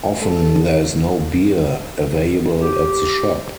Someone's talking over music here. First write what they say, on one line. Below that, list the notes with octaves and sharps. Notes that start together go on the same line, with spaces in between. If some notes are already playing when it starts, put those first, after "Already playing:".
Often there is no beer available at the shop.
A4
G4